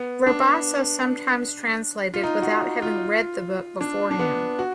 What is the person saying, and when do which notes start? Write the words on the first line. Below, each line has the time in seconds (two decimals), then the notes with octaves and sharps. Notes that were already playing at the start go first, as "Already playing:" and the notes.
Rabassa sometimes translated without having read the book beforehand.
Already playing: B3
0.27 D4
2.14 F4
2.23 D#4
2.42 F#4
2.82 F4
3.81 D4
4.11 D4
4.19 B3
4.59 F#4